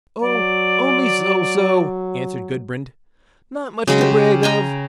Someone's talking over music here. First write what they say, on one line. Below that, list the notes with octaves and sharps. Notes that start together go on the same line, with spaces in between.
'Oh! only so so', answered Gudbrand; 'not much to brag of.
F#3 D5
C#3 F#3 G#3
G4
G5 G#5 A#5